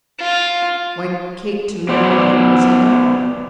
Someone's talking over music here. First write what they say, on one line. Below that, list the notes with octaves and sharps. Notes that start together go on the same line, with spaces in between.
Why, Kate, to marry him was inevitable!
F4
B3 C5 D5